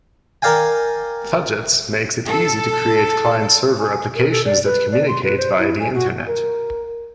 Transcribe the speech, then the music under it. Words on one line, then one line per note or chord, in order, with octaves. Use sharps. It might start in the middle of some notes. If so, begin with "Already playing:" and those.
Fudgets makes it easy to create client-server applications that communicate via the Internet.
A#4 D5 F5 G5 G#5
A4
G#5
A#4
A4
D5
B4
D5
C6
B4
C5
E4
G#5
F#4
A#4